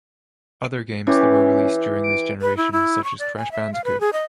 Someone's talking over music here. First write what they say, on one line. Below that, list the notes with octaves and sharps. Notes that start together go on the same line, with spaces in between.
Other games that were released during this generation such as Crash Bandicoot.
E3 C#4 G4
D7
B4
E4
E4
C#6
D5
G#5
E5
F5
B4
G#4
D#5